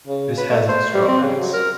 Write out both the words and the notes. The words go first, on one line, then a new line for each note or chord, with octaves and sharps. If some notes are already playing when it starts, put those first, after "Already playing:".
This has its drawbacks.
C#3
B4
A3
C5
G3
C4
C#3
F#3
A#4